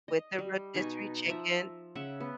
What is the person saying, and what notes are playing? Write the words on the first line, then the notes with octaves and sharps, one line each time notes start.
with the rotisserie chicken
D#5
G3
B2 D#4 G#5 C#6
F3 E5 A#5
C#3 E5 F#5
B3